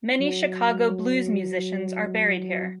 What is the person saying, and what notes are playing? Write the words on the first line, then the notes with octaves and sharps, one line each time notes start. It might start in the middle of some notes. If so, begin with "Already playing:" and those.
Many Chicago blues musicians are buried here.
F#3